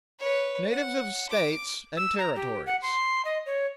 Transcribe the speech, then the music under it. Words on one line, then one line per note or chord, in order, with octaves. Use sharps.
Natives of States and Territories.
B4 C#5
F#5
D6
E6
A#5
G4
F#5
C6
D#5
C#5